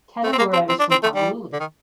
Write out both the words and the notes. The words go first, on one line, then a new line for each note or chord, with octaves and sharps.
Kanemura is from Honolulu.
A3
C4
A#3
C4
C4
D4
C4
A3
G3
D3
D#3